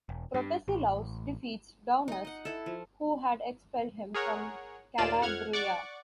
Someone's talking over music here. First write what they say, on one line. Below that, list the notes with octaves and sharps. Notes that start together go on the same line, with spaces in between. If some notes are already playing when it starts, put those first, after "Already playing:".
Protesilaus defeats Daunus, who had expelled him from Calabria.
E1
G2
A1
D#4 D#5
D#5 F#5
E4 A4
F3
G#4 A#4 C#5 F#5
D#2 A#2 A#3 F4 D5 E7
F2 F#5 F6 G#6
D5 F#5 C#6 D6